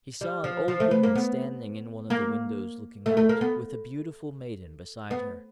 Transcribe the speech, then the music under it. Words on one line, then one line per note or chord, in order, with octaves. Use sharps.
He saw an Old Woman standing in one of the windows looking out, with a beautiful Maiden beside her.
G3
F3
F3
A3
B3
A#3
B3
A#3
A3
A3
A#3
B3
B3